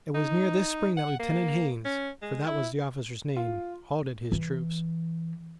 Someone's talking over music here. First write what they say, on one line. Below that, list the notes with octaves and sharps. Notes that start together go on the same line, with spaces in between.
It was near this spring that Lieutenant Haines, for that was the officer's name, halted his troops.
D#4
F#5
A#3
C#4
G#3
E4
F4
E3